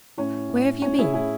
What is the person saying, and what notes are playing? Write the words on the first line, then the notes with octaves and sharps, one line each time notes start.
Where have you been?'
A2 C#4
A2
A2 C#4
E4 G#4
A2 E4 G#4